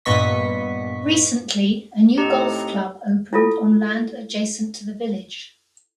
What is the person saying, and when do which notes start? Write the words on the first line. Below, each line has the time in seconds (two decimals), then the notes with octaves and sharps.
Recently a new golf club opened on land adjacent to the village.
0.05 G2 A#2 B3 D#5 C#6 B6
2.18 A2 C4 D#4 G4 A#5
3.33 E4 F4 A4